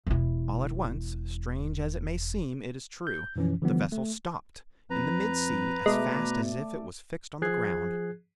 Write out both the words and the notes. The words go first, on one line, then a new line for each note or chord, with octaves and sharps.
All at once--strange as it may seem, it is true,--the vessel stopped, in the mid sea, as fast as if it was fixed on the ground.
E1 E4
G6
F#2 B2 E3 F3 C#4
D3 E3 F3 G3 B3
A3
F2 B4 A#5
B2 G#3 A3 D5
F3 G#4 F#6 G#6 C7